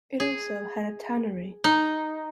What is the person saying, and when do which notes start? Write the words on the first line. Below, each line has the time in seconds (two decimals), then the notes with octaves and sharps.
It also had a tannery.
0.20 G#4
1.64 D#4